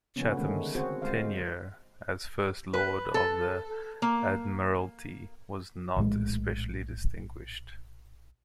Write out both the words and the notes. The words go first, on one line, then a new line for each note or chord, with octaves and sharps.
Chatham's tenure as First Lord of the Admiralty was not especially distinguished.
C#3 F3 A#3 B3 C#4
D3 D#3 G#3 A3 C#4
C4 F#4 G#4 C5
G#3 C5 F5
B4
A4
A#3
A#1 A2 G#3